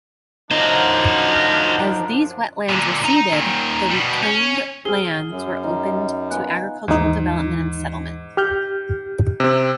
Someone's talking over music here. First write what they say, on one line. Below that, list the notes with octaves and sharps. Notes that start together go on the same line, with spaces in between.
As these wetlands receded, the reclaimed lands were opened to agricultural development and settlement.
F#2 F3 D4 D#4 F#4 C5
A#2 D3
D#4 A#5
A#2 D#3
B2 G3
C#4
C4 G#4 F6 G7
F#3
F#2 E5
D#4
B3 F4 F5 G#5 F#6
D#2 G#2 E3 D#4
G4 F6 G6
C3 C4